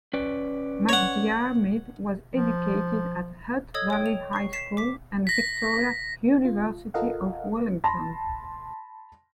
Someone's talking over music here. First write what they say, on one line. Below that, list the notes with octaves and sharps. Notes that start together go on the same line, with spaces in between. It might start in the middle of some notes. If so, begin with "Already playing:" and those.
MacDiarmid was educated at Hutt Valley High School and Victoria University of Wellington.
C#4 B4 D5
C#5 F#5
F3
A4 C#5 D#5 D#6 E6 G#6
C#5 G5
F7
C#6 C7
B6 C7 E7
D6 B6
A#6 B6
F4
F4 A4 A#4 D#5 F5 F#5
A5 B5 C6 A#6